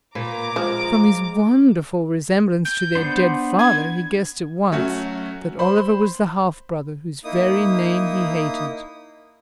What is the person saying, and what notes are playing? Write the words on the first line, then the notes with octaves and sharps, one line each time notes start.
From his wonderful resemblance to their dead father, he guessed at once that Oliver was the half-brother whose very name he hated.
A#2 A#3 B4 A#5 D6
F3 G#3
G6
B3 D4 C5
G#6
F#3 A3 C#4 F#4
C5 B5
A#3 D#4 E4 D#6